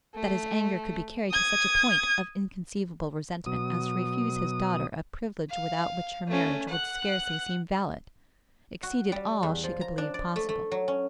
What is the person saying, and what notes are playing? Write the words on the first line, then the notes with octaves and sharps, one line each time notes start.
That his anger could be carried to such a point of inconceivable resentment as to refuse his daughter a privilege without which her marriage would scarcely seem valid, exceeded all she could believe possible.
A3
D#6 G#6
B2 F#3 D#6
F5
A3 C#4
F#5 F#6
F#4
G3
E2
F3
A#5
D4
D5
A3
A3
F#3
C#4